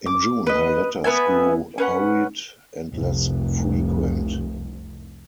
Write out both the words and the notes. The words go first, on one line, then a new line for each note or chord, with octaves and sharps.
In June her letters grew hurried and less frequent.
D6
B4 D#5
B3 B4 E5 G#5
C#4 B4 F#5
F1 C2